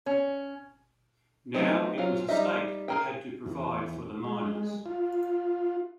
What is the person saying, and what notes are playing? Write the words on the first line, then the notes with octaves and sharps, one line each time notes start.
Now it was the state that had to provide for the minors.
C#4
F#3 A3 B3 C4 D#4
F#3 C4 C#4 F4
G3 D#4 D#5 E5
G#4 A#4 G5
E2
G#3
F4